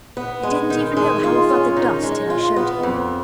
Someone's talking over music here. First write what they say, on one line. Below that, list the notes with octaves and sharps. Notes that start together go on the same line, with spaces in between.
'He didn't even know how a father does till I showed him.'
B3
G#3
D#3
G#3
F4
C#4
D#3
G#3
F4
B3
F2